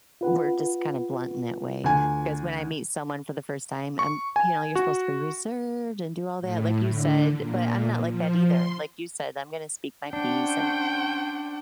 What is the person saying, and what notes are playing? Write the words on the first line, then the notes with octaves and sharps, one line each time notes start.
were just kinda blunt in that way 'cause when I meet someone for the first time, I'm, you know, you're supposed to be reserved and do all that like you said, but I'm not like that either. Like you said, I'm gonna speak my peace and
F4 B4 F#5
D2 G#5
C#6
G#5
F#4
A2
D3
A#2
F3
C6
C#4 D4 C5 F#5 G5